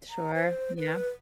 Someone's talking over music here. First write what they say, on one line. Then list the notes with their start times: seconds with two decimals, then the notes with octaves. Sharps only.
Sure, yeah.
0.09 A#5
0.34 C5
0.78 B4